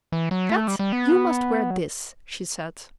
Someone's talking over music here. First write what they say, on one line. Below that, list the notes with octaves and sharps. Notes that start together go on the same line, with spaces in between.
"Kat, you must wear this," she said.
E3
F#3
A3
G3
G3
B3
F#3